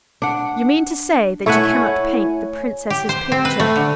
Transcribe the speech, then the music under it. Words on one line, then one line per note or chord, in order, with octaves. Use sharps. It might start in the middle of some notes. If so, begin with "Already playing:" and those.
"You mean to say that you cannot paint the Princess's picture?"
D4 F#5
A3 E4 C#5 E5 F#5 G#5
G4
C5
C4
B4
A3
D3